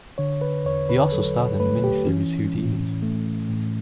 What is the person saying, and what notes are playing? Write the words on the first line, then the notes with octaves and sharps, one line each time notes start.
He also starred in the miniseries "Houdini".
D3 C#5
B4
E2 C#5
B4
F#3 A4
B4
A3 B4
G4
E3 C#4
A2
A3
A2